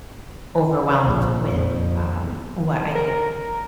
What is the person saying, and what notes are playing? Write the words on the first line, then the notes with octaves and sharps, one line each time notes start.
overwhelmed with, um, what I could
A#1
F2
A#4